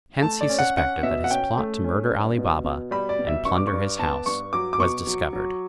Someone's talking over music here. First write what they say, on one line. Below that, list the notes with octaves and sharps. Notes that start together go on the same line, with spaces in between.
Hence he suspected that his plot to murder Ali Baba, and plunder his house, was discovered.
A3 A5
D5
C#4
F#5
C#4 F#5
B2 E5
F#5
C#4 G5
A3
C#4
G2
B2
B2
G3 B5
D5
B2
E5
G2 C#6
D6
C#6
G2
B3 A5
G2 C#6
F#3 D6
D6
B2 C#6
F#3
F#3